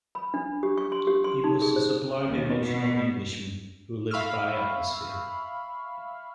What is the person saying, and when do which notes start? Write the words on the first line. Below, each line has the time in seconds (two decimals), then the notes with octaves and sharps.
He was a sublime emotional Englishman, who lived by atmosphere.
0.15 B5
0.34 D4
0.63 G4
0.78 C#6
0.92 C6
1.07 G4
1.24 C6
1.44 D#4
1.62 G#4
1.76 C5
2.28 D#2
2.65 B2
4.11 E5 F5 B5 C#6 E6 F6